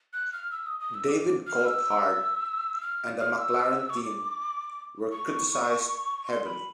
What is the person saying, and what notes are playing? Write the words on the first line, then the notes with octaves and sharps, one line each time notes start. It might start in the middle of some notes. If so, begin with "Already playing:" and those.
David Coulthard and the McLaren team were criticized heavily.
F#6
F6
E6
D#6
D#6
E6
D6
F6
E6
F6
F6
E6
C#6
D6
C#6
C6
B5